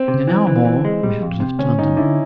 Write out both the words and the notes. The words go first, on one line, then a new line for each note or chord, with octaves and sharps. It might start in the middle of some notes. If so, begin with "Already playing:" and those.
In an hour more we had left London.
Already playing: C4
C3
E3
E3
E3
G#3
G3
F2
C3
D2 C#4
D2 D#4
D3 E4